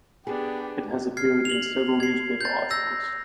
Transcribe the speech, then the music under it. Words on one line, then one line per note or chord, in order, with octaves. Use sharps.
It has appeared in several newspaper articles.
B3 D4 G4 G#4
F6 G#6 C7
F7 F#7
G#6 C7
G6 A6
E6 G6 A#6